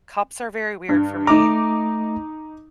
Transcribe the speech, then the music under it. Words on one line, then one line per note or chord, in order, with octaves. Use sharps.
Cups are very weird for me
G2
A3 D#4 A#5 D6